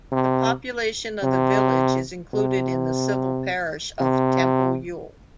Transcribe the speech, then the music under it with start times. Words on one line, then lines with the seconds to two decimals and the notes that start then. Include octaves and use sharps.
The population of the village is included in the civil parish of Temple Ewell.
0.12 C3
1.23 C3
2.34 C3
4.01 C3